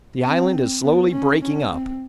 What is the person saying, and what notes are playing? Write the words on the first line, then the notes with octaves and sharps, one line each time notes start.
"The island is slowly breaking up."
C4
B3
C#4
C#4
C4